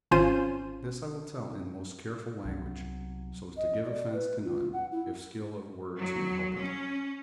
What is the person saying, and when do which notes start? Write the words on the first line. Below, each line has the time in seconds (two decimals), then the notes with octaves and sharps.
This I will tell in most careful language, so as to give offence to none, if skill of words may help it.
0.11 G#1 C#4 F4 C5 D#7
2.45 C2 F#3
3.57 D#5
3.85 D5
4.13 B4
4.44 F4
4.73 F#5
4.91 E4
5.98 F#3
6.58 C#4